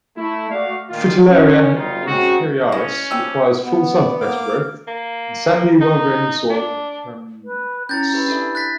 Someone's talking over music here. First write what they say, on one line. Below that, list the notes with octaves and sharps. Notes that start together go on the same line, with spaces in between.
"Fritillaria imperialis" requires full sun for best growth, and sandy, well-drained soil for permanence.
A3 E4
A3 F#4 D5 F5
A#2 D#3 F4
C#4
G1 F#2 G3 D#4 F4
G#3 C4 C#4 D#4 F#4
A#3 C#4 E4 D#5 C#6
F3 G3 G4 E6
B3
D5
A#3 F5 D6
A#3
D#4
D4
B4
C#4 E4 A#5 G6 A6
E4 G4 B4
D4 A4 E5
F#6 A6 B6